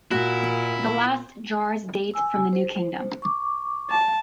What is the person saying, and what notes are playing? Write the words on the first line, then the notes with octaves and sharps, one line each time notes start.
The last jars date from the New Kingdom.
A#2 E4 F#4
G#5 E6
C5
C#6 D6
A5